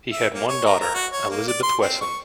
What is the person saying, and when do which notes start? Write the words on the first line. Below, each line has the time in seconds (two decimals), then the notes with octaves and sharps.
He had one daughter, Elizabeth Wesson.
0.12 E5
0.34 A#3
0.48 C#5
0.65 A#4
0.81 A#4
0.95 F#4
1.13 C#5
1.30 A#3
1.48 D5
1.63 C6
1.81 C4
2.01 C#6